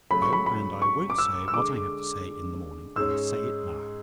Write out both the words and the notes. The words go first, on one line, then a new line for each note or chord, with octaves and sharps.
No, and I won't say what I have to say in the morning; I'll say it now.
C#3 F#3 A3 B5
C#6
B5
B5
C#6
D6
E6
E6
D3 G#3 D4 G#4 D6
G#2 G#3 C#4 E6